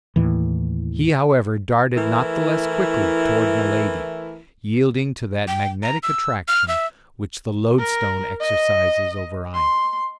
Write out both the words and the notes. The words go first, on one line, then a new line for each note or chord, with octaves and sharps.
He, however, darted not the less quickly toward Milady, yielding to that magnetic attraction which the loadstone exercises over iron.
D#2 A2 E3
E3 A3 E4 A#4
G5
A#5
E6
F6
E5
A#4
D#5
C6